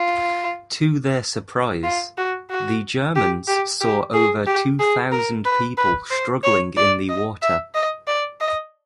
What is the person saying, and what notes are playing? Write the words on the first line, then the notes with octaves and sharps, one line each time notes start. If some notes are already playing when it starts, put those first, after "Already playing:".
To their surprise, the Germans saw over two thousand people struggling in the water.
Already playing: F4
F4
F#4
F#4
G4
G4
G4
G#4
G4
G#4
A#4
B4
B4
C5
C#5
D5
D#5
E5
D#5
D5
D#5